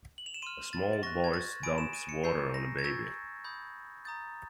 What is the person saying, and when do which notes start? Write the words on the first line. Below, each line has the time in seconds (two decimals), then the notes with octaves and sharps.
A small boys dumps water on a baby.
0.18 F#7
0.26 F7
0.34 E7
0.42 C6 F6 D#7
0.73 A6
0.93 A6
1.03 C#6 F#6 A#6
1.24 G#6
1.34 A6
1.63 G#5 B5 D#6 D7
1.78 E7
1.93 D#7
2.09 C#7
2.24 A#5 C#6 E6 G6 C7
2.54 A#6
2.79 G#6
2.84 C#6 E6 G6 A6
3.44 B5 D#6 G6
4.05 A#5 D#6 G6 A6